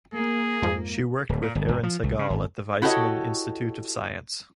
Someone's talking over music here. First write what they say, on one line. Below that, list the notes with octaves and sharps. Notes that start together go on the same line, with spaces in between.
She worked with Eran Segal at the Weizmann Institute of Science.
A#3 G#4
F2 G#2 F3
D1
A#2
G1
G1
F3
C2
C#3
G#1
E4 F#4 G4 A4 C#5 D#5